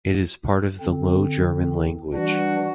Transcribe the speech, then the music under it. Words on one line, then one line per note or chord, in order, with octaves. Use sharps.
It is part of the Low German language.
D3 C4
E3 G3 D4 F#4